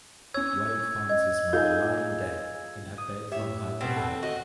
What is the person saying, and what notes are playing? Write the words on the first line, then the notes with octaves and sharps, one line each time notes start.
Wade finds his mother lying dead in her bed from hypothermia.
C#4 C#5 E6 G#6
D#5 G#6
D#4 F4 G#4 A4 G6
D#6
A2 G4 C#5 E5
B2 C4
A4
F#4 D#5